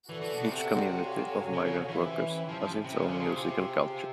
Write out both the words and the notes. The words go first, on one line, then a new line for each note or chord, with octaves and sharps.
Each community of migrant workers has its own musical culture.
E3 F#4 A4 D5 F#5
E3
B2
C3
F#4 A4 C#5 F5 G#5
C#3
C#3
E3
C#4 E4 G4 C5 E5
F3
F3
C3
C#3 C4 F4 G#4 C5
D3
C#3
C3